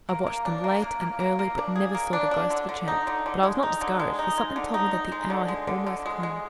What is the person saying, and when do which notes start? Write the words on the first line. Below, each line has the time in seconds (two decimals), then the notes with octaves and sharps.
I watched them late and early, but never saw the ghost of a chance; but I was not discouraged, for something told me that the hour had almost come.
0.09 A#3
0.27 A#3
0.45 D4
0.64 A#3
0.82 A#3
1.01 A#3
1.20 A#3
1.39 A#3
1.58 D4
1.76 G#4
1.95 A#3
2.13 D4
2.31 D4
2.50 D3
2.69 D3
2.88 D#4
3.07 D3
3.26 D3
3.43 G#3
3.63 D#4
3.81 D3
3.99 G#3
4.19 D#4
4.38 G#3
4.56 D3
4.74 D#4
4.93 D#4
5.12 G#3
5.30 D3
5.48 G#3
5.67 D3
5.87 D3
6.06 G#3
6.23 G#3